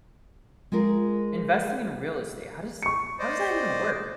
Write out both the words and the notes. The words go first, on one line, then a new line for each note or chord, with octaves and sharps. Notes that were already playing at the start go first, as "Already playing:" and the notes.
investing in real estate, how does how does that even work?
G#3 F4 A#4
C#6 C#7
C5 D5 D#5